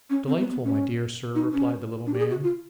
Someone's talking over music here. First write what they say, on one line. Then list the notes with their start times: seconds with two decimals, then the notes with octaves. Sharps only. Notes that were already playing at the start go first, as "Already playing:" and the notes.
'Delightful, my dear Sir,' replied the little man.
0.10 C#4
0.27 C4
0.39 B3
0.51 B3
0.64 C#4
1.35 D#4
1.53 C#4
2.06 D4
2.14 G4
2.19 G#4
2.31 F#4
2.43 F4